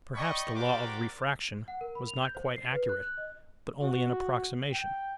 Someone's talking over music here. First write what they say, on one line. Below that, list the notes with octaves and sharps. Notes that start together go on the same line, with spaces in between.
Perhaps the law of refraction was not quite accurate, but only an approximation.
D5 D#5 G5 B5 C#6
F#4 G4 A#4 C5 D5 D6
F#5
A#4
B5
F7
G6
C5
C7
B4
F#6
F#6
D#5
F#4
G5